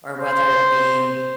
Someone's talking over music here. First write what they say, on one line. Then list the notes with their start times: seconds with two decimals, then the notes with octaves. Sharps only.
or whether it be
0.19 C5